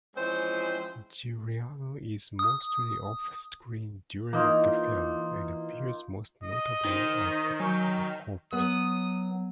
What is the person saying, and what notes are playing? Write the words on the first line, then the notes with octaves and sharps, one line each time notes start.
Giuliano is mostly off-screen during the film and appears most notably as a corpse.
E3 F3 G#3 C4 C#4 C5
D#6
E3 A#3 D#4 F4
D#5
D#3 D#4 C5
F#3 G#5 C#6 G6
F#3 B3 D#6